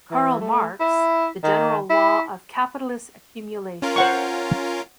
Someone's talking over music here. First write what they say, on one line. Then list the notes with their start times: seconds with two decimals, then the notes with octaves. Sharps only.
Karl Marx, "The General Law of Capitalist Accumulation".
0.11 E3
0.41 A3
0.80 E4
1.43 D#3
1.90 E4
3.82 C#4 F4 A#4
3.96 C5 F#5 C#6